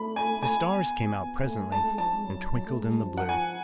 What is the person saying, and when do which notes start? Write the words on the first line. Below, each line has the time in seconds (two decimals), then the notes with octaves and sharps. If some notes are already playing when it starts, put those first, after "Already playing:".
The stars came out presently and twinkled in the blue.
Already playing: A3 B5
0.16 G#5
0.43 G#5
0.68 B3
1.21 B3
1.47 A3
1.72 G#3 A5
1.81 A3
1.90 G#3
1.98 F3 A5
2.14 G#3
2.24 F#3
2.50 F#3
2.66 A3
2.77 G#3
3.03 F3
3.18 F#5
3.29 F3 G#5